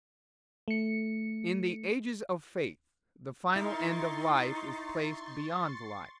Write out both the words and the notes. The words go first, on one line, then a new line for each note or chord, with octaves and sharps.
In the ages of faith the final end of life is placed beyond life.
A3 C#7
D#4 E4 A#4 C6 C#6 A6